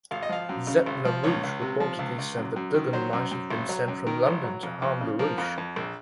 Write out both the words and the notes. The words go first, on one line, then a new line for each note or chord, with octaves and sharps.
Zepp-LaRouche reportedly said that Duggan might have been sent from London to harm LaRouche.
G#1 F5
D#5
F3 F5
F#2
C#3
G#1
F3
C#2 C#5
C#2
C3
F3
C#2
C#2
F#2
F#2
D#3
F#3 C5
F#2
F#2
G#1
F#3
F#2
D#3 A#4
G#1
F#3
F2
F2
C#3
F3 A#4
F2
F2
A#1